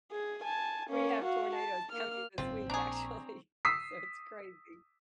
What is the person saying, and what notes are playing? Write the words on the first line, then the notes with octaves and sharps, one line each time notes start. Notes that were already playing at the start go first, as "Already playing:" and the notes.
We have tornadoes coming this week, actually, so it's crazy.
G#4
G#5 A5
A#3 C#4
F#4 F5
A5
A#3 F6
F#1 G#2 C#3 C4 F4
A#1 D4 G#4 A#5 C#6
D#6 E6 B6 C7